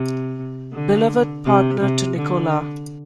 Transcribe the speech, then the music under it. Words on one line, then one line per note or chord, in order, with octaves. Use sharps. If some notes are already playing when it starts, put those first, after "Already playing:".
Beloved partner to Nicola.
Already playing: C3
D3
C3
C3
D3